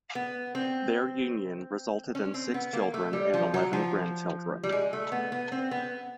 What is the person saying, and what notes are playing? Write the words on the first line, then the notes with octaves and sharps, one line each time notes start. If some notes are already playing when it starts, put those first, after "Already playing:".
Their union resulted in six children and eleven grandchildren.
B3
C4
C#4
C4
B3
A#3
A3
G3
F3
F#3
F3
G3
G#3
A3
B3
B3
C4
B3